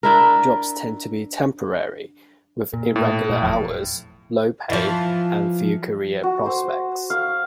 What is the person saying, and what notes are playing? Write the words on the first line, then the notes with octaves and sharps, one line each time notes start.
Jobs tend to be temporary, with irregular hours, low pay and few career prospects.
D4 E4 A#4
A#2
A2
A#2
F#1 E2 F3
E3 F3
F#4
C5
F5